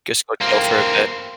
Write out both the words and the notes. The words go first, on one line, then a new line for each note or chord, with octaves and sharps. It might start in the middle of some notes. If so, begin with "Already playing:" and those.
Just go chill for a bit.
A#3 C4